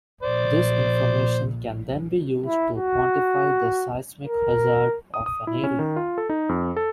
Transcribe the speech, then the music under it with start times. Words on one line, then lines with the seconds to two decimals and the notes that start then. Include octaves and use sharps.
This information can then be used to quantify the seismic hazard of an area.
0.23 A#1 C5 D5
2.46 E4
2.78 F#4
4.27 A#4
5.14 D#6
5.26 D#6
5.47 E4
5.64 C#4
5.79 D#3
5.96 F4
6.18 A4
6.29 D#4
6.49 F2
6.76 A4